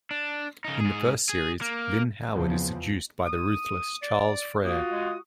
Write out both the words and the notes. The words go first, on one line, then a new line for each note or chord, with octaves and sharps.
In the first series, Lynne Howard is seduced by the ruthless Charles Frere.
D4
C#3 D#4
G#2 G#4
G#4
A#3
E2 C#3 F3 C4
D#6
D5
A#3 F4 F#4 D#6
G#3